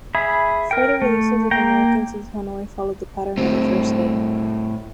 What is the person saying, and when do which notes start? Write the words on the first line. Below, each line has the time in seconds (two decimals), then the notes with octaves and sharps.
Further releases of Americans in Hanoi followed the pattern of the first day.
0.15 G#4 E5 B5
0.71 A#4 G5
1.02 A3
1.51 A#3 G5 A#5
3.38 A2 C4